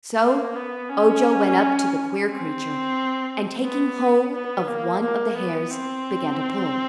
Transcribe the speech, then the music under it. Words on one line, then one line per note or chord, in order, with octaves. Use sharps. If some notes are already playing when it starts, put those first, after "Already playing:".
So Ojo went up to the queer creature and taking hold of one of the hairs began to pull.
A#3
B3
C#4
C4
B3
B3
A#3
A#3
B3
C4